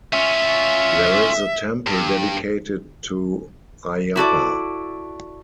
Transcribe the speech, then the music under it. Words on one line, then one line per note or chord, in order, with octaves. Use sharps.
There is a temple dedicated to Ayappa.
C#4 F4 E5
G2
E4 F#4 A4 D5